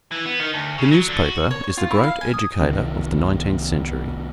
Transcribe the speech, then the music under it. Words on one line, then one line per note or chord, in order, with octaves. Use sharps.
The newspaper is the great educator of the nineteenth century.
E3
B3
D#3
D2
C#3
F#3
D3
F#4
C#5
C#5
F4
E4
F5
G#5
D#6
C2 D#3 C4